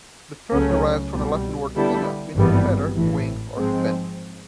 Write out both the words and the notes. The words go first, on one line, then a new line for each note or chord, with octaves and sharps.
The term derives from the Latin word "pinna" meaning "feather", "wing", or "fin".
C#2 C#3 F#3 A3 C#4
C2 B2 G3
D3 G3 B3 E4 A4
G#1 G2 E3 G3 B3
A1 A2 E3
G#2 F3 G#3 C4